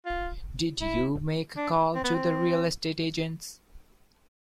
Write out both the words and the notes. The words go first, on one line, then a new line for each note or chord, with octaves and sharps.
Did you make a call to the real estate agents?
F4
E4
D4
C4
B3
C4